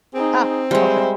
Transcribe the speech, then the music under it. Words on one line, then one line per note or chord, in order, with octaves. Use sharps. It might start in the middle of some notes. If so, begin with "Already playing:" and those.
Ah! So true.
C4 D#4 G#4
G3 G#3 C5 E5